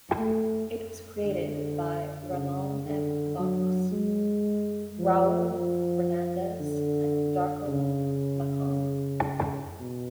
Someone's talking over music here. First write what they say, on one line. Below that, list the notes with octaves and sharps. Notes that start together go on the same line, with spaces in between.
It was created by Ramon F. Bachs, Raul Fernandez and Darko Macan.
A3
D3
C#3
D3
F#3
G#3
F3
F3
D3
C#3
B2